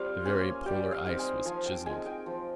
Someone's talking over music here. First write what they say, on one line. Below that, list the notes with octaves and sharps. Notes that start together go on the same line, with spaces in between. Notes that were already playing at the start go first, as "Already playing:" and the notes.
The very Polar ice was chiseled.
Already playing: G3 C4 F4 F5
A#3 C#4 G#5
G3 G5
F5
C4 D#4
G#5
F3 G#5
G5
G#3 D#4 G#5
G5
F3